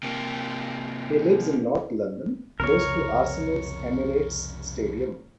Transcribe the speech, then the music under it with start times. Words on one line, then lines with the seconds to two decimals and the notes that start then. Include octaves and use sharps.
He lives in north London, close to Arsenal's Emirates Stadium.
0.03 C3 A#3
2.60 C2 F2 C#3 A#4 C#5